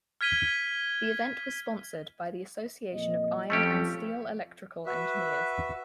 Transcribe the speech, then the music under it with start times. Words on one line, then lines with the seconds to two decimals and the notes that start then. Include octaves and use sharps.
The event was sponsored by the Association of Iron and Steel Electrical Engineers.
0.21 F6 G#6 B6 D#7 G7
2.91 F2 A#2 D#5
3.50 F2 A3 C#4 G4
4.86 F#4 B4 E5